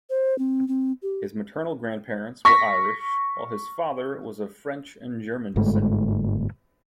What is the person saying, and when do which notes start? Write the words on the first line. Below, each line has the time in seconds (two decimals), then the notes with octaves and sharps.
His maternal grandparents were Irish, while his father was of French and German descent.
0.10 C5
0.38 C4
0.68 C4
1.03 G4
2.45 C#6 A#6 B6
5.56 G1 G#2 G#3 A3